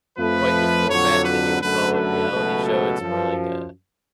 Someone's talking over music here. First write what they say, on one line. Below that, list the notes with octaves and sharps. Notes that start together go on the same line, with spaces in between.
quite the format that you would call a reality show, it's more like a
F2 F3 A3 B4
F2 D3 F#3 C#5
B4
F#2 D3 F#3 A3 B4
B4
C#2 B2 F#3 A3
A4
F#2 F3